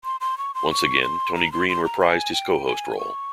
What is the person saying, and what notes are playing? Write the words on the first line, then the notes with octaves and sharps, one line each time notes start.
Once again, Tony Green reprised his co-host role.
C6
C6
C#6
C6
C#6
C6
A#5
C6
C6
A#5
G#5
G5
G#5
C#6